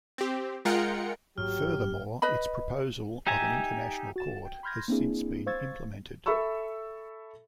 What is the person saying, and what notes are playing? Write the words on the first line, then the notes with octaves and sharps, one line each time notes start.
Furthermore, its proposal of an international court has since been implemented.
C4 G4
G#3 F4 A#4 F#5 G5 C#7
A1 G#2 F#3 A#3 G4 F6
B4 D#5 B5
D#4 G4 E5 G#5 A#5
F#4 A6 E7
G5
B5 C6 F6 G6 G#6 A#6
A#3 C4 D4 E4 G#4
C5 F5 C#6 E6 G#6 A6
A4 E5 B5 C#6 E6